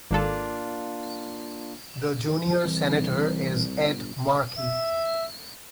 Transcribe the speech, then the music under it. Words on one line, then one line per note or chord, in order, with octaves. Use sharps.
The junior senator is Ed Markey.
G#1 A#3 D4 F4 A4
C2 E3
G1
E5